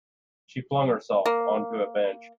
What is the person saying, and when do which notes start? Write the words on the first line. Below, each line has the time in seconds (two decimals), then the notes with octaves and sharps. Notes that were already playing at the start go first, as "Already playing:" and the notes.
She flung herself on to a bench.
1.26 A#3